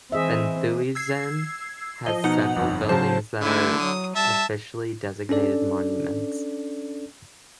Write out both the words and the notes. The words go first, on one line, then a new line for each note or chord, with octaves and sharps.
Benthuizen has several buildings that are officially designated monuments.
E3 C4 G#4 D#5 E5
E6 G#6 C7
F3 D#5
B2 D#4 F#5
G1 F2
C#3 F#3 C5 A5
D3 A3 E4 G#5
F#3 D#6
G3 E5 A5
C#4 D4 A4 D5